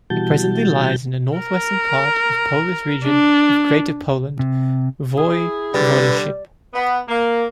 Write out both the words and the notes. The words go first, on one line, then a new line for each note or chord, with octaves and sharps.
It presently lies in the north-western part of Polish region of Greater Poland Voivodeship.
B2 E3 G3 F#4 A5 G6
A#4
D4
C3
E4 G#4
D3 G3 B4
B3
A#3